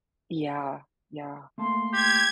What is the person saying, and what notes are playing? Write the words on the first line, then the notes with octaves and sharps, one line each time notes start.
Yeah, yeah.
A3 A#3 A5 C6
G4 G#6